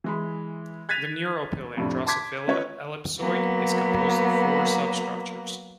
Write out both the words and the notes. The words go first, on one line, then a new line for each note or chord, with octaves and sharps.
The neuropil in "Drosophila" Ellipsoid is composed of four substructures.
E3 G#3 B5
F#6 G#6 A6 B6 D#7 F7
F2 A2 C3 C4 D4
A5 C6 D6 G#6 B6
C#4 F4 B4 C#5 D#5
F#3 A#3 B3